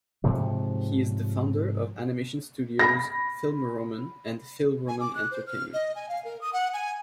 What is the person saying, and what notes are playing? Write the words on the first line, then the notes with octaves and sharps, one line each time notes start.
He is the founder of animation studios Film Roman and Phil Roman Entertainment.
G#2 C3 F3 F#3
B5 A#6
G#5
D6
F#6
C5
F6
D#5
G#5
F5
A#4
D#6
F#5
G#5